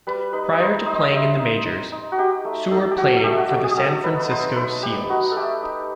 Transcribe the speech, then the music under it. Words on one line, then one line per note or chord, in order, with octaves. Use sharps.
Prior to playing in the majors, Suhr played for the San Francisco Seals.
G3 B4
D#4 B4
D#5
D#4 C5
D#4 D#5
C5
D#5
G3 E5
D#4
D#4
D#4
F#4
D#4 G4
A3
D#4 A4
G4
F#3 F#4
A4
A3 G4
F#4
F#3 G4
G4
F#3 A4
A4
D#4 B4
B4
D#4 C5
D#4 B4
D#4 G4
D#4 F#4
A3 G4 A4
D#4